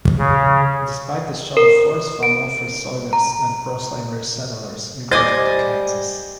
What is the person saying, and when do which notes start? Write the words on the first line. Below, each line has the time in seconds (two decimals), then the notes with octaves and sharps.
Despite this show of force, far more free-soilers than pro-slavery settlers migrated to Kansas.
0.18 C#3
1.57 A#4
2.23 D7
3.13 A#5
5.11 G3 C5 D#5 G#5 D6 A6